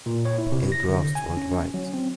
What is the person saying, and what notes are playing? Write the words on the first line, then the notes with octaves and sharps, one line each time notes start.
It grossed worldwide.
A#2
C#5
E4
C3
A#6
D3
G#5
C#4
F#3
C4